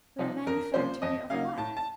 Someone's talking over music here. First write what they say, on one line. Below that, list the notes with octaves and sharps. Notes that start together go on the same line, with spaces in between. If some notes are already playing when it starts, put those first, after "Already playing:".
But a manufactory of what?
C3 F3 C4 D#4
F2 A#4
C3 F3 A#3 C#4 C5
F2 D#5
C#3 F#3 A#3 D#4 F5
A2 A5
A5